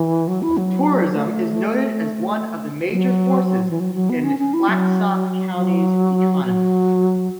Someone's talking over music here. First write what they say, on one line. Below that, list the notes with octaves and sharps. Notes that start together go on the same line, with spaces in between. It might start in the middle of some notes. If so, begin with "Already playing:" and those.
Tourism is noted as one of the major forces in Clatsop County's economy.
Already playing: E3
F#3
E4
F#3
A3
F#3
E3
F#3
F#3
B3
C#4
C#4
E4
F#3
F#3
F#3